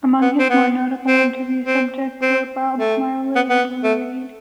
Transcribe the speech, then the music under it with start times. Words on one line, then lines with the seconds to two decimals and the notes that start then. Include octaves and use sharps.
Among his more notable interview subjects were Bob Marley and Lou Reed.
0.21 B3
0.39 C4
0.50 B3
1.07 C4
1.64 C4
2.22 C4
2.78 A3
3.36 B3
3.50 B3
3.84 A3